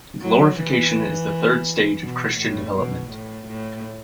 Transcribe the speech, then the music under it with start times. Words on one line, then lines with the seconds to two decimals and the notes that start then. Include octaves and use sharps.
Glorification is the third stage of Christian development.
0.22 F#3
0.58 E3
2.03 B2
2.39 A2
2.75 B2
3.11 A2
3.47 A2